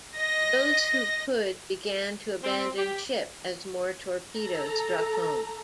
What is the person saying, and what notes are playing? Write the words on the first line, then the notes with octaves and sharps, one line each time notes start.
Those who could began to abandon ship as more torpedoes struck home.
D#5 A#6
C4
G4
A4 A#5